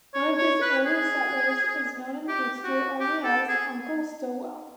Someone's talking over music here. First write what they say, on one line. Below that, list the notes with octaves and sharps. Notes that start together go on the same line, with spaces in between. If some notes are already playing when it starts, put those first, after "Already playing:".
One of these early settlers is known in history only as "Uncle" Stillwell.
C#5
C#5
B4
G#4
G4
F#4
G4
A4
G#4